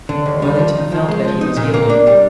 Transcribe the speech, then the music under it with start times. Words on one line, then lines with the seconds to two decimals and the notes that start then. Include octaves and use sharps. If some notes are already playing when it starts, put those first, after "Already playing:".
Wellington felt that he was yielding.
0.09 D3
0.26 D#2
0.42 G3
0.59 F3
0.75 D#4
0.92 F3
1.09 G#3
1.24 F3
1.41 D#4
1.57 A#2
1.74 A#3
1.90 D4
2.07 G3